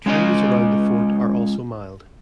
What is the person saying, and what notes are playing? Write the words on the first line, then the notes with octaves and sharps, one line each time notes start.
Trees around the fort are also mild.
G#3 C#4 F4 D#5